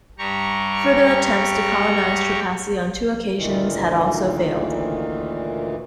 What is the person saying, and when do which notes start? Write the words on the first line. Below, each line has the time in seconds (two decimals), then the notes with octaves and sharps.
Further attempts to colonize Trepassey on two occasions had also failed.
0.18 G2 G3 G4 A#5 C#6
3.35 D2 A#2 D#3 E3